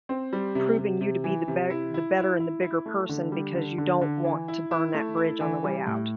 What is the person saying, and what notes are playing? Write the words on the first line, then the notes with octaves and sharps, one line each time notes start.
proving you to be the ber the better and the bigger person, because you don't want to burn that bridge on the way out.
C4
G3
C3
C3
C3
E3
C3
E4
E4
E4
E4
E4
A3
D3
G3
D3
D3
D3
E3
E4
E4
A3
E4
E3
G3
A2